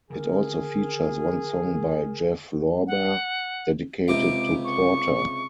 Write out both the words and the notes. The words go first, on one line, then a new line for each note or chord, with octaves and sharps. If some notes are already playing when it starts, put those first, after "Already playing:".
It also features one song by Jeff Lorber dedicated to Porter.
D3 D#3 G#4 A#4
F#5
C#2 C3 D7
C#6